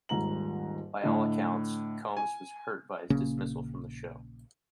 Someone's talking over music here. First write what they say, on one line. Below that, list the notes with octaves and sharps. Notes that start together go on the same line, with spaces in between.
By all accounts, Combs was hurt by his dismissal from the show.
D#1 G#2 A#5 F#7
A2 D3 D#5
G#5
A#1 C#3 A#3 C#4